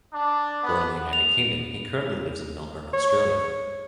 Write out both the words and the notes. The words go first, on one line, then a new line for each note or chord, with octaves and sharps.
Born in the United Kingdom, he currently lives in Melbourne, Australia.
D4
B3
F7
C#5